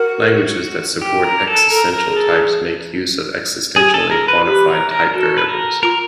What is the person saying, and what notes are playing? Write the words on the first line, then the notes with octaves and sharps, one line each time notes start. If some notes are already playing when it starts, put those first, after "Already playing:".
Languages that support existential types make use of existentially quantified type variables.
Already playing: F#4 A#4
G4
A#4
A4
A4 A#4
A#4
G#4
A4
G4 G#4
A4
G#4 A#4
B4
G4 B4
A#4
A#4
F#4 A4
B4
A#4
F4 A#4